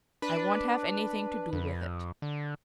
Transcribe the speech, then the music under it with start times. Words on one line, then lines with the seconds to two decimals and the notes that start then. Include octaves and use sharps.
"I won't have anything to do with it."
0.22 D4 B4
1.53 F2
2.22 D3